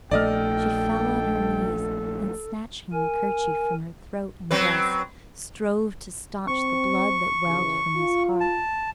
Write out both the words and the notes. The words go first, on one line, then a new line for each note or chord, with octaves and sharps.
She fell on her knees, and snatching the kerchief from her throat and breast, strove to stanch the blood that welled from his heart.
A#1 A3 A4 D5 D#5 G5 F6
A#4 G#5
F#3 C4 B4
C4 C#6
D#2 C#3 E3
F4
A5